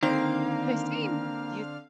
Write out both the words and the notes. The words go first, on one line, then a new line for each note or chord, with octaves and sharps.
They seem you
D3 D#3 A#3 C4 F5